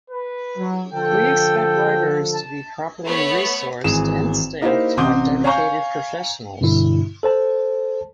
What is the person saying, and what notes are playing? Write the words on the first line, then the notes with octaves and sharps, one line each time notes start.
We expect libraries to be properly resourced and staffed by dedicated professionals.
B4
F#3
D3 F3 A4 G5
G5
A5
A3 B3 C#5
G#1 E3 G#4 E7
A#3 D#4 E4 G4 A#4 C5
A1 C3 C6 D6 D#6 G6
C#5 F5 G#5 A#5 C#6 G6
G2 B2 D3 E4
A4 C5 A5